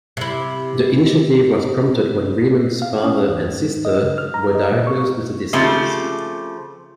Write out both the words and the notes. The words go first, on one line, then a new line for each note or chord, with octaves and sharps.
The initiative was prompted when Rehman's father and sister were diagnosed with the disease.
C3 E4
F5
C#4
E2
G#2
D#5
C#3
F6
A#5
D#5
A#2
C#6
C#3 F3 A3 C4 G4